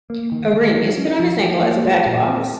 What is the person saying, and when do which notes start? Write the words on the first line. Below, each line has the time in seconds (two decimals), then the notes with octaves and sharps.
A ring is put on his ankle as a badge of office.
0.10 A#3
0.32 D#3
0.53 D#3
0.75 F#3
0.97 C#4
1.19 F3
1.41 F3
1.63 A#3
1.85 G#3
2.06 A#2
2.28 C4